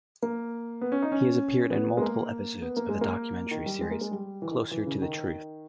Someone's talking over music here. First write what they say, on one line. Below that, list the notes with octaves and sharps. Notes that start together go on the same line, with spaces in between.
He has appeared in multiple episodes of the documentary series Closer to Truth.
A#3
B3
C#4
D#4
C#4
B3
G#3
A#3
B3
A#3
G#3
A#3
D#3
G3
G#3
A#3
G#3
G3
E3
D#3
E3
C#3
D#3